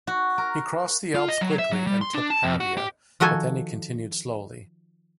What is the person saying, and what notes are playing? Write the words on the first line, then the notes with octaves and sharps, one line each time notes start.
He crossed the Alps quickly and took Pavia, but then he continued slowly.
F#4
A#4
F4
D#5
F#3
E5
F#3
G3
C6
D4
A5
F2
F#4
G4
D#3 F3 F#4 A4 G#5